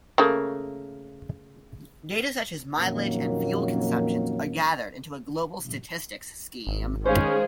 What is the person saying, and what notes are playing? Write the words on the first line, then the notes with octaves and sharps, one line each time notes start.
Data such as mileage and fuel consumption are gathered into a global statistics scheme.
C#3 A3 A#3
F2 A#2 D#3 F#3 A#3 C#4
G#1
D#3 G#3 C#4 G#4 C5 F5